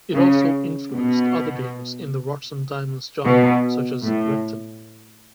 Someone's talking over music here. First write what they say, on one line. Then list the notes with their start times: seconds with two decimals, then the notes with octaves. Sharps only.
It also influenced other games in the rocks-and-diamonds genre such as Repton.
0.14 C#3
0.92 B2
3.25 B2
4.02 A2